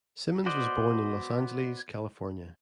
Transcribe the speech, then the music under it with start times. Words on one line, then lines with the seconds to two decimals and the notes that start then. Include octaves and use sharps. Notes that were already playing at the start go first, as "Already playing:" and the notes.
Simmons was born in Los Angeles, California.
0.46 B3 F#4 C5 D5 D#5